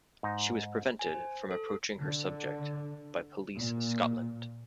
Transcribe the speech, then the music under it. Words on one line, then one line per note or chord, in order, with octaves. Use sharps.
She was prevented from approaching her subject by Police Scotland.
G#2 D#4
G#5
C5
A4
D3
A#2